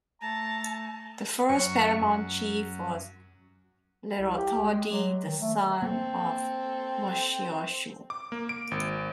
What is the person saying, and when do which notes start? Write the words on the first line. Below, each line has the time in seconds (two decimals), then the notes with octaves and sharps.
The first paramount chief was Lerothodi, the son of Moshoeshoe.
0.21 A3 A5 A#5
1.49 F#2 C#6
2.01 F#2
4.19 C2
4.37 G4
4.62 G#3
4.92 F#3
5.27 D#3
5.41 A3
5.82 A#3 C4 A4
8.10 D6
8.32 A#3
8.49 D7
8.71 G#1